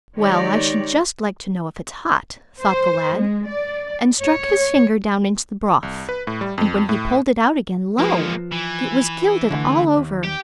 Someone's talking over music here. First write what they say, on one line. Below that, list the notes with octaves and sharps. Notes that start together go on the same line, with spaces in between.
"Well, I should just like to know if it's hot," thought the lad, and struck his finger down into the broth, and when he pulled it out again, lo! it was gilded all over.
D#3 G#3 D#4 G4 C#5 D5
C5
G#3
D5
C#5
C2
B4
A2
G3
F2
A2
F3 G#3 A#3 B4
E3
D3 A3
D#2
G4